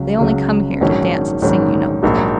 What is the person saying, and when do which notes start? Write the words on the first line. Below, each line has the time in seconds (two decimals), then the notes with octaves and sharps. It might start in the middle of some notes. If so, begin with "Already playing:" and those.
They only come here to dance and sing, you know, brother.
Already playing: C#2 C#3 F#3
0.19 C#2 C#3 F#3
0.81 A#1 G#2 D#3 F#3 C#4
1.42 A#1 G#2 D#3 F#3 C#4
2.03 A#1 G#2 F#3 A#3 D#4